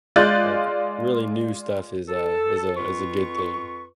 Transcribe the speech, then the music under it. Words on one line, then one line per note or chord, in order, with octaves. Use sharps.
like, really new stuff is a is a is a good thing.
G#3 F4 D5 F#6 G6 A6
A4
F2 F4 B4 C#6